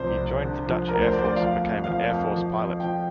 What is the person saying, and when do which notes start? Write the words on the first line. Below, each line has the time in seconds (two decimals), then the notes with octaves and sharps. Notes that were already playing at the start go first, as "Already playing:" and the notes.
He joined the Dutch airforce and became an airforce pilot.
Already playing: C2 C3 F3 C5
0.17 C2
0.41 D3
0.65 F3
0.89 D2 A#4
1.01 C5
1.13 D2 D5
1.19 C5
1.25 D5
1.36 F3 F5
1.60 F2
1.84 F3 F5
2.08 F2 F5
2.32 F3
2.56 F2
2.80 F3 G5